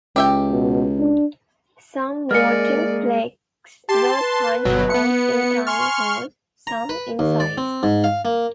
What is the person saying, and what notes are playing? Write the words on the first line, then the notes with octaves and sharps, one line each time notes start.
Some votive plaques were punched out in tiny holes, some incised.
C#2 G4 E5 G5
B2
D4
G#3 A#3 G#4 A#4 D5 F6 C#7
G4 A5 C6
B4
G1 B2 F#3
B3 C#7
G#5 C6 C#6 F6
A#5
B4
D#2
D5
C4
G#2
F5
A#3